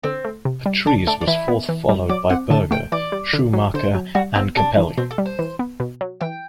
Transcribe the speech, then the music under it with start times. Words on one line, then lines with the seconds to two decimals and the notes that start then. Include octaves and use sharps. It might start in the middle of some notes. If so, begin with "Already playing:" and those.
Patrese was fourth followed by Berger, Schumacher and Capelli.
0.03 D3 C4
0.25 A3
0.45 C3
0.66 G3
0.86 D3 D4
1.07 A3 D4
1.21 D4
1.27 E3 E4
1.48 B3
1.69 E3
1.89 G3
2.09 F#3 D5
2.30 C4 F#5
2.50 D3 A5
2.71 A3 G5
2.92 E3 D5
3.12 G3
3.33 D3
3.53 F#3
3.74 D3 C5
3.95 F#3
4.15 G3 F#4
4.35 B3 C4
4.56 C3 D4
4.77 E3
4.97 B2 C4
5.11 A4
5.18 G3
5.26 C5
5.39 E3
5.59 B3
5.80 B2
6.01 F#3
6.21 E3 G5